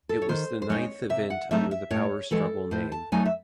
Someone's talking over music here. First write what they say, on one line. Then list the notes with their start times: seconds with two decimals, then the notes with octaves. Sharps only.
It was the ninth event under the Power Struggle name.
0.09 A4
0.22 C#5
0.29 D#3 C5
0.62 C5
0.70 G#3 C4 D#4 C#5
1.09 C3 E5
1.30 F#5
1.51 F#3 A3 C4 D#4 E5
1.71 E5
1.91 A2 C#5
2.31 E3 G#3 A4
2.71 A2 C5
2.92 A5
3.12 F#3 A3 D#4 G#5
3.26 E5